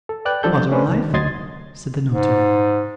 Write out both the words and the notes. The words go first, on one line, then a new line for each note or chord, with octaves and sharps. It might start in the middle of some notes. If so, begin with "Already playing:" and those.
'Father alive?' said the Notary.
A4
B4 D5 G5 F#6
F3 G3 D4 A4 G6
A3 C#4 D4 B4 C5
C2 D#3
D2 F#3 D#5 C6 G#6 A6
G#2